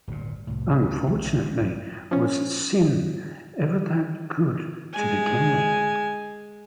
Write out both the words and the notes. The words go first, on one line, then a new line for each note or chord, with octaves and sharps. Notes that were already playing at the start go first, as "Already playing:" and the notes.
Unfortunately, was "Sin" ever that good to begin with?
D1 G1 A#2
C2 A2
D2
B1 A3
D#1 G#3 C4 D4
A#1 G2 E3 G#3
F3 C#4
G#3 G#5